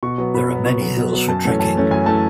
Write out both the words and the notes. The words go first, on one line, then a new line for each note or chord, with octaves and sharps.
There are many hills for trekking.
B2 C#6
F#3 B3
B2 B5
F#3 B3
B2 C#6
F#3 B3
B2
F#3 B3
F#2 A5
E3 A3 C#4
F#2 A5
E3 A3 C#4
F#2 G#5
E3 A3 C#4 A5